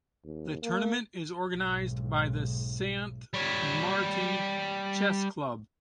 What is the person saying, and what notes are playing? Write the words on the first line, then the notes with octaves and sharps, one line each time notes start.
The tournament is organized by the Sant Martí Chess Club.
D#2
A#3
B1 G#2
G3 C#5